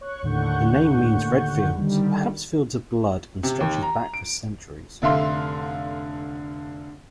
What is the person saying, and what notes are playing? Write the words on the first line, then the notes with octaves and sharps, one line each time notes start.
The name means red fields, perhaps fields of blood, and stretches back for centuries.
C#5 C#6 F#6
D#2 A2 D3 F#5 C#6 G6
D3 D#3 G3
C3
D#2
A#5
D7
F1 D3 E5 F5 C6